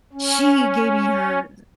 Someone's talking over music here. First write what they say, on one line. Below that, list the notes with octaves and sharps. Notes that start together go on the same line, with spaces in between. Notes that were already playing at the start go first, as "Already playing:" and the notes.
she gave me her
C#4